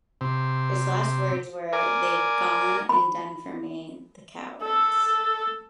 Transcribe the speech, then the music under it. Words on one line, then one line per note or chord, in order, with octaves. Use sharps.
His last words were They've gone and done for me, the cowards.
C3
A#4 D5 G#5
B5
A4 E6